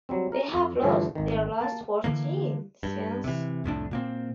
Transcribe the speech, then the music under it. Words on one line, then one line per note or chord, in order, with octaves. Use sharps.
They have lost their last fourteen since.
F#3 G3 C4
A#4 A#5
F2
G2 A#2 D3 E3 F3 A3
G#1 D#3
A#3 A5
D3 E3 A#3
G2
C3 E3
C2 F2 A2 D4
A#2 A#3 C4